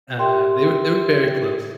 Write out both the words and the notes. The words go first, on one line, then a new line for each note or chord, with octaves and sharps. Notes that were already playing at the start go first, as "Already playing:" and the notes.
uh, they were they were very close,
G4 A#4 E5 G5 C6